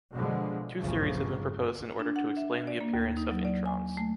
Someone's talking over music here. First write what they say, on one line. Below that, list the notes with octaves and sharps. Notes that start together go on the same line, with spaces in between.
Two theories have been proposed in order to explain the appearance of introns.
B2 D3 F3 G#3
G1 C#2 F#2 A#2 C#3 F3
D4
F#5
E5
D5
A#3
D#2
D#4
F#3
D5
G#5
A3